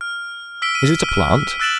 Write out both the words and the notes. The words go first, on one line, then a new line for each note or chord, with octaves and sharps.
Is it a plant?
F6
E6 B6 D7 G7
D#7
F6
E6 F#6 A6 D7 E7 F#7